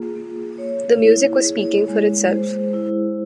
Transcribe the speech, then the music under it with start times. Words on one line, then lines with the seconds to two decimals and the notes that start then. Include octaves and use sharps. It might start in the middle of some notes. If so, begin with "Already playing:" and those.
The music was speaking for itself.
Already playing: A#3 F4 G#4
0.16 A#3
0.58 C#5
1.02 E4
1.44 G#4
1.88 G#3
2.31 C5
2.73 E4